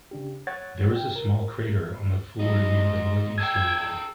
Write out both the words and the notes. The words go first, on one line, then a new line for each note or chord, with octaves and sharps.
There is a small crater on the floor near the northeastern wall.
C#3 D4 G4
C#5 F#5 G#6 A6
G5
A#4
F#3 D#4 D#5
G#2
G#4 A4 G5 E6 G#6